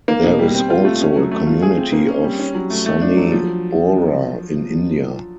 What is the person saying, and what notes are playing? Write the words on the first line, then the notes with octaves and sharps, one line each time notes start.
There is also a community of Sunni Bohra in India.
A#3
B2
G3
C4
F4
A3
C#4
F#3
A3
F4
G#4
C4
A#3
C#4
G3
C#4
F#3
A3
A3
D4
F#3
F3